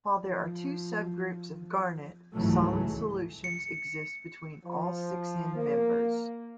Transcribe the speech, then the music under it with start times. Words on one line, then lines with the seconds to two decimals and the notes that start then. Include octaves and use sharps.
While there are two subgroups of garnet, solid solutions exist between all six end-members.
0.20 F3
2.33 C#2 G#2 C#3 E3 F#3 A3
3.44 C#7
4.64 F3
5.55 A#3